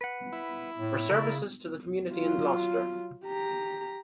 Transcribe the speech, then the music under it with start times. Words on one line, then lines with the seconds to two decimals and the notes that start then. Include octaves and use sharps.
For services to the community in Gloucester.
0.01 B4 F#5
0.33 E4
0.78 A2
1.10 C#3 A#4 D5
2.13 F#3 F4
3.26 G4 A#5